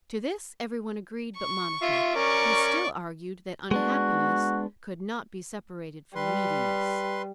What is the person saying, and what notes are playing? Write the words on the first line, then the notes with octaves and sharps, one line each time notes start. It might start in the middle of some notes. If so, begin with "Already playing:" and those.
To this everyone agreed but Monica, who still argued that unhappiness could not be separated from neediness.
C#6
F4 E5
C#4 A#4 D5 C#6
G#3 B3 D4 F#4
G3 B4 C6